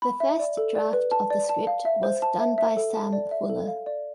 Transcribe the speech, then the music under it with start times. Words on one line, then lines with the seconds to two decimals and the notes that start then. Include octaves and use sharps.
The first draft of the script was done by Sam Fuller.
0.02 B5
0.20 E5
0.39 D5
0.57 A4
0.76 D5
0.93 B4
1.11 A5
1.30 D5
1.49 A5
1.67 F5
1.85 E5
2.03 C5
2.22 A5
2.39 E5
2.58 E5
2.77 A4
2.95 A5
3.13 D5
3.31 E5
3.50 A4
3.67 F5
3.86 D5